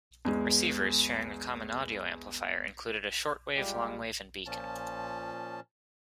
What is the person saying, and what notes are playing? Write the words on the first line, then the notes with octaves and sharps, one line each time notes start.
Receivers, sharing a common audio amplifier, included a short wave, long wave and beacon.
E2 G#3
G3 G#3 F4 G4
A#2 F3 C#4 A5